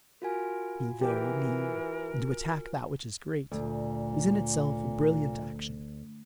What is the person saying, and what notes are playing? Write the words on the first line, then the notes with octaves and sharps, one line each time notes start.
To be very mean, and to attack that which is great, is in itself a brilliant action.
F4 F#4 A#4 G#5
E3 G4 A#4
D2 A#2